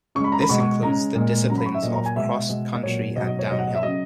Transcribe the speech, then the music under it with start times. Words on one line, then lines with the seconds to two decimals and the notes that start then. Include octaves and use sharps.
This includes the disciplines of cross-country and downhill.
0.15 C#3 C#6
0.19 G#3
0.24 B5
0.32 A#5
0.40 B5
0.49 B2 G#3 C#6
0.60 C#6
0.82 C#3 G#3 A#5
1.15 A#2 G#3
1.49 C#3 F#3 A#5
1.58 B5
1.66 C#6
1.74 E5
1.83 A#2 F#3 D#5
1.94 A#5
2.06 G#5
2.16 B2 G#3 E5
2.49 B2 G#3
2.75 D#5
2.83 A#2 F#3 C#5
3.16 B2 F#3 D#5
3.27 D#5
3.39 C#5
3.51 B2 F#3 D#5
3.59 F#5
3.67 D#5
3.75 E5
3.83 C#3 F#3 D#5